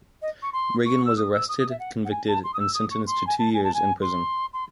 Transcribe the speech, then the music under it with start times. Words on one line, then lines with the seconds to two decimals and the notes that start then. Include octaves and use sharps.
Regan was arrested, convicted, and sentenced to two years in prison.
0.22 D#5
0.43 C#6
0.53 C6
0.86 C#6
1.05 E6
1.17 D#6
1.33 E6
1.49 D#6
1.59 D#6
1.70 E5
1.80 F#5
2.05 F#5
2.11 G#5
2.28 A5
2.44 C6
2.54 D#6
2.60 E6
2.75 D#6
2.91 C#6
3.07 C6
3.27 G#5
3.39 A5
3.54 G#5
3.64 A5
3.74 G#5
4.02 C6
4.54 C6